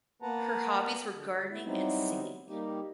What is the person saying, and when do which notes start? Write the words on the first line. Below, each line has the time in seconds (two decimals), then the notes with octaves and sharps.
Her hobbies were gardening and singing.
0.22 A#3 B3 B4 F#5 A5 A#5
1.13 D3
1.50 B3 E4
1.65 F#3 G3 B3 C4 D#4 E4
2.48 G3 A#3 D#4 G4